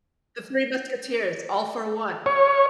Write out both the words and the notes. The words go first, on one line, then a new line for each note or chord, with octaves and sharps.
The Three Musketeers: "All for one."
C#5